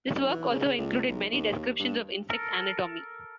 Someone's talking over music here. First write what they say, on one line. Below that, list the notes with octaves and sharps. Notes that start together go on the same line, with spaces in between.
This work also included many descriptions of insect anatomy.
B1
E3
C#3
C#2
B1
D#2
G2
A4 A#4